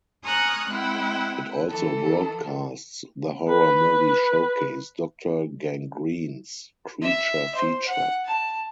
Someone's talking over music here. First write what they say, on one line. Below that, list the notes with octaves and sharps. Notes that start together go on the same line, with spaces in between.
It also broadcasts the horror movie showcase "Doctor Gangrene's Creature Feature".
G#5 A#5 C#6 D#6 F6 F#6
G#3 C4 E4 F#5 G5
E3 A4
B4
E5
C5
F#5
A5